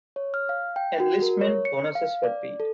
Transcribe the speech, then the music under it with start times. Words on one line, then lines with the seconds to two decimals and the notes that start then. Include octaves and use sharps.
Enlistment bonuses were paid.
0.16 C#5
0.34 F6
0.49 F5
0.76 G5
1.00 F#4
1.22 A#4
1.41 C#5
1.65 C#7
1.95 F5
2.24 D5
2.60 A4